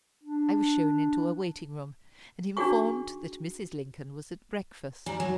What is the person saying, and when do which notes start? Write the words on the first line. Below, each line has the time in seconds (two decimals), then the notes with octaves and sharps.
I was shown into a waiting-room, and informed that Mrs. Lincoln was at breakfast.
0.23 D4
2.57 D4 D#4 F#4 G#4 G5 C#6
5.06 G3 G#5 A#5
5.20 F#3 G#5